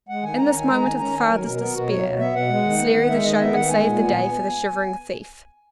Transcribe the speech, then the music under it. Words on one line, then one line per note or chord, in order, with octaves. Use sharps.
In this moment of the father's despair, Sleary the showman saved the day for the shivering thief.
G#3 F#5
D#3 G#5
C#4 A#5
D#3 G#5
G#3 A#5
D#3 G#5
C#4 A#5
D#3 G#5
F#3 A#4
B2 A#4
B3 A#4
B2 F#4
F#3 C#5
B2
B3 E5
B2 F#5
G#3
D#3
B3
D#3
G#3 E5
D#3 D#5
B3 E5
D#3 F#5
G#3 G#5
A#2
B3